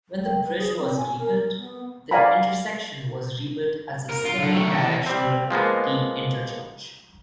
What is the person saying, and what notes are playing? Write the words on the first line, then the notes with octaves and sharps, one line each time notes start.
When the bridge was rebuilt, the intersection was rebuilt as a semi-directional T interchange.
G5
B4
G#4
C4
G#5
A#4
B3
D5 F5 F#5 G#5 A#5 B5
A#4
F4
D3
D#3 A3
E3 F#5
G3 C4
F3 G#3 A#3 B3